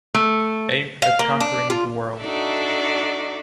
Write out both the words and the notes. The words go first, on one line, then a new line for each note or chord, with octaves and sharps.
Aim at conquering the world.
A3
F5
A#3
D4
F4
D4 D#4 F#4 A4 D5 E5